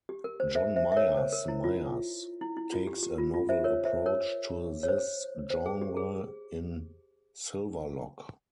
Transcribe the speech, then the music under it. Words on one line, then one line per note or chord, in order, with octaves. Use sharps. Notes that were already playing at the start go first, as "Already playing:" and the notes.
John Myers Myers takes a novel approach to this genre in Silverlock.
G4
A#4
C5
C5 E5
C5 E5
E5
A#4 C#5
C5
A#4
E4
F4
E4
E4
F4
G4
G4
F4
F4
C5 E5
A#4 C#5
C5 E5
A#4 C#5
C#5
C5
C5
G#4
G4
G#4